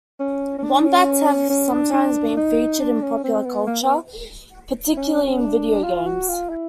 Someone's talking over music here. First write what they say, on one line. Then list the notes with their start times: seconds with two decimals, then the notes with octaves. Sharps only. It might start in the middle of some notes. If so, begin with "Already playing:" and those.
Wombats have sometimes been featured in popular culture, particularly in video games.
0.20 C#4
0.59 C#4
0.63 D4
0.84 C#4
1.50 C#4
1.72 D4
1.94 D4
2.37 D#4
2.80 D4
3.02 C#4
3.24 C4
3.45 B3
3.67 A#3
3.82 B3
4.97 C#4
5.40 D4
5.84 F4
6.06 F#4
6.28 F4
6.49 E4